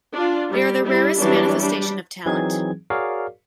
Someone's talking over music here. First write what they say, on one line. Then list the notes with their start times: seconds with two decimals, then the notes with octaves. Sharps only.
They are the rarest manifestation of Talent.
0.15 D4 F4
0.51 G3
0.83 G3 E4
1.19 E3 F#3 G3 D4
1.59 G3 D4
2.26 E3 F#3 C4 D#4 G#4 G#6
2.90 F#4 G#4 A#4 C#5 D5 F5